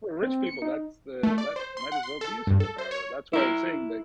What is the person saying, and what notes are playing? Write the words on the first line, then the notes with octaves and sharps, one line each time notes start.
For rich people, that's the that might as well be a superpower. That's why I was saying, like
C4
C#7
D#4
A3
D5
C5
C6
F#5
C6
A4
G2
A4
C5
C#5
E4 A#4